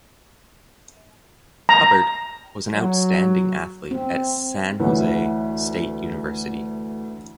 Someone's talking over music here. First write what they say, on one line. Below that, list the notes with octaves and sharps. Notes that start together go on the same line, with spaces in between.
Hubbard was an outstanding athlete at San Jose State University.
A#5
F#3
C4
D2 E3 B4 C#5 F#5